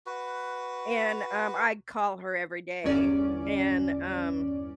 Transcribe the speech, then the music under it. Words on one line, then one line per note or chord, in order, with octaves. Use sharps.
And, um, I'd call her every day and, um,
F#4 B4
G1 E2 C#4 D5